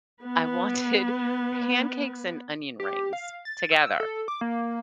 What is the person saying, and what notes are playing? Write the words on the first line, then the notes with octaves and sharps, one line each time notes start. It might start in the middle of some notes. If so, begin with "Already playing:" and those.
I wanted pancakes and onion rings together.
B3 B4
G4
F5
A6
E6
A4
D6
A#3